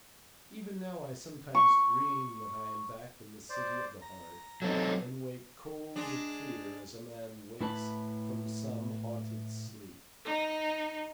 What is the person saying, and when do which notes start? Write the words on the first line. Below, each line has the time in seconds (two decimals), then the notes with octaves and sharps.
Even now I sometimes dream that I am back in the City of the Heart, and wake cold with fear as a man wakes from some haunted sleep.
1.55 C#6
3.49 C5 D5
4.02 A#5
4.62 F#3 C4 D#4 A4
5.96 G#3 D4
7.61 A2 E4 B4 A5 B5
10.25 D#4